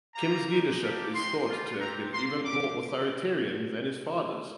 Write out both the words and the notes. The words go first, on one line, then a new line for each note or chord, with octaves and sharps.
Kim's leadership is thought to have been even more authoritarian than his father's.
G3 A#3 D#4 G4 A#5
G#3 D#4 G4
A#3 D4 G4
G#3 C4 D#4 C6
G3 A#3 F4
C4 G4 A#5
A#3 F4 C6
G4 D6